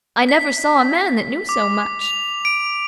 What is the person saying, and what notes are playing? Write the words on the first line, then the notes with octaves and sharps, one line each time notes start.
"I never saw a man that knew so much!"
B6
D6
F7
D7